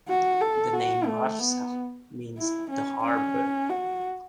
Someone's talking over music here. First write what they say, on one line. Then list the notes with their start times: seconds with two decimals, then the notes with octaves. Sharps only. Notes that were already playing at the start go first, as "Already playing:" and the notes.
The name Marsa means "the harbour".
0.08 F#4
0.41 A4
0.73 F#4
1.06 A3
1.39 B3
2.38 E4
2.70 C#4
3.03 C#4
3.70 F#4